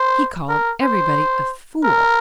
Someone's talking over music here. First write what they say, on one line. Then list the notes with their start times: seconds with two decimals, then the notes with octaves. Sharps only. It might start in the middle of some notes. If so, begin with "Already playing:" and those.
He called everybody a fool.
Already playing: C5
0.49 A#4
0.82 C5
1.84 A#4